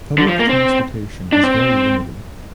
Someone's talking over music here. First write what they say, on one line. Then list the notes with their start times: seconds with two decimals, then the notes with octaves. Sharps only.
Public transportation is very limited.
0.18 D3
0.29 F3
0.39 A#3
0.49 C4
1.32 D4
1.43 C4